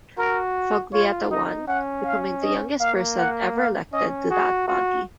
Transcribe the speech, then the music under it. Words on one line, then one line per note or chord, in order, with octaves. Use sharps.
Foglietta won, becoming the youngest person ever elected to that body.
F#4 A#4
F4 C#5
D#4 D#5
C#4 F#5
F5
D#5
A#3 F5
F#5
F5
C#4 D#5
F#4 G#4
F4 F#4